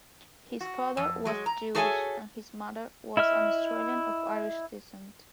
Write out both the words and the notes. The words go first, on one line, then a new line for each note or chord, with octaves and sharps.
His father was Jewish and his mother was an Australian of Irish descent.
F#4
F2
F#3 G#3
A#5
F#4 G#4 A4 C#5 E5 G#5
E4 D#5 E5 F6